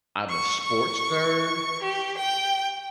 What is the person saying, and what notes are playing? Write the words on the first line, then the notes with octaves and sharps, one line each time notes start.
I'm a sports nerd
C#6
C#6
G4
G5